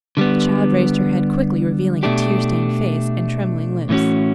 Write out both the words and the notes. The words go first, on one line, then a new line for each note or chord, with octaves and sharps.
The child raised her head quickly, revealing a tear-stained face and trembling lips.
D3 G3 B3
B2 A3 D4 G4
A2 E3 A3 C#4 F#4